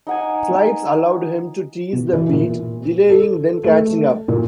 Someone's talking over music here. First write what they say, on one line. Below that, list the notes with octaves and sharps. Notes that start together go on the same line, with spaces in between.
Slides allowed him to tease the beat, delaying then catching up.
D#4 F#5 G#5
B2
E3
A#2
A4
A3
A#2